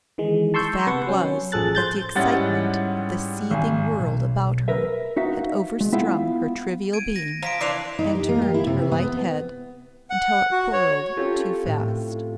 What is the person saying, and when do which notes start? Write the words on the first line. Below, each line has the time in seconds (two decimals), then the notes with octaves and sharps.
The fact was that the excitement of the seething world about her had overstrung her trivial being and turned her light head until it whirled too fast.
0.18 D#3 E3 G#3
0.54 A5 C6 C#6 E6 G6
0.87 C3 B3 B4 C#6
1.07 F#3 C#4
1.52 A1 F3 G#4 A4 F#6 A6
1.75 C5 G6 A6
2.15 G#2 G3 C#4 E4 F#5 A6
3.51 G#1 G#5
4.00 B1
4.68 A#4 B4 E5
5.17 D#4 F#4 E5 F5
5.81 G#3
5.93 B3 E4 F4 F5 G5
6.93 G#6 D7 D#7
7.16 A#6
7.43 F3 A#5 B6 D7
7.61 E3 C4 D4 D6 F7
7.99 D#4
8.15 G4
8.29 A#3
8.42 G4
8.54 E4
8.67 C3
8.91 B3
10.10 F#5
10.52 F#4
10.73 C#5
11.16 C4 C#4 F4 G4 A4 C#5
11.66 A2